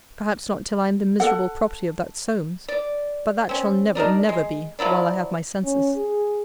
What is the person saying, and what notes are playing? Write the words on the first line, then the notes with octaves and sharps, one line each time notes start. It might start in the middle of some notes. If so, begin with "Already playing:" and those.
Perhaps not till I am the miserable property of that Solmes!--But that shall never, never be, while I have my senses.
A4 F#5
D5
C4 C#4
D4 D#4 A#4 D5
G#3
F3 F#3 E4 D5
C#4
G#4